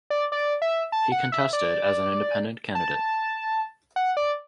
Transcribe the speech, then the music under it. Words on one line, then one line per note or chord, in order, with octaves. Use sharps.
He contested as an independent candidate.
D5
D5
E5
A5
F#5
E5
D5
A5
F#5
D5